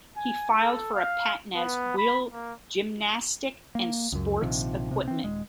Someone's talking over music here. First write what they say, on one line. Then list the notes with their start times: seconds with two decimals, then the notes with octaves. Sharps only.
He filed for a patent as "wheel-gymnastic and sports equipment".
0.17 G#5
0.51 A4
0.94 F5
1.55 B3
1.97 B5
2.32 A#3
3.75 A#3
4.12 C#2 F#2
4.41 A#1 C3 D#3 F3
4.91 B1 C3
5.08 E3 C4
5.24 D#1 G#3